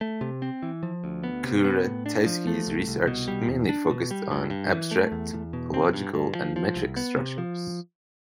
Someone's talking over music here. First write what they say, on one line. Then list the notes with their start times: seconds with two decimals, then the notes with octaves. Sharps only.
Kuratowski's research mainly focused on abstract topological and metric structures.
0.01 A3
0.21 C3
0.42 C4
0.62 E3
0.83 F3
1.04 D2
1.24 B3
1.44 C3
1.65 B3
1.85 A2
2.06 D4
2.26 F3
2.47 A3
2.67 C2
2.88 C2
3.07 B2
3.28 G3
3.48 E2
3.69 D4
3.90 B2
4.11 G3
4.31 G2
4.50 G2
4.72 E3
4.91 A3
5.12 E2
5.33 E2
5.53 B2
5.74 C4
5.93 G2
6.14 G2
6.35 F3
6.56 F3
6.76 C2
6.96 B3
7.17 C3
7.38 F3